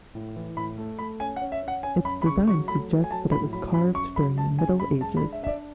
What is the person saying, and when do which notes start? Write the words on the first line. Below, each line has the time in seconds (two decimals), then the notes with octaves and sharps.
Its design suggests that it was carved during the Middle Ages.
0.15 A2
0.36 E3
0.57 A2 B5
0.78 A3
0.99 A3 B5
1.20 C#4 G#5
1.36 F#5
1.42 C#4
1.52 E5
1.63 C#4
1.68 F#5
1.83 C#4 G#5
2.05 F#2 B5
2.22 B5
2.26 C#3 C#6
2.47 F#3 C#6
2.68 A3 B5
2.89 F#3
3.04 G#5
3.11 F#3 A5
3.32 A2 B5
3.53 F#3 B5
3.74 F#2 B5
3.95 F#2 C#6
4.16 F#3 B5
4.38 F#2 A5
4.59 C#3 G#5
4.80 F#2 B5
5.01 G#3 A5
5.17 B5
5.22 D4
5.32 E5
5.43 D4 E5
5.48 D5